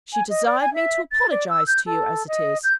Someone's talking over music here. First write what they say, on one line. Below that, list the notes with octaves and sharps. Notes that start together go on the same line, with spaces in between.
She desired me to apologise to you as it is.
G#5
D#5
D5
G#5
E5
A6
D5
E6
G6
A4
D#5
G6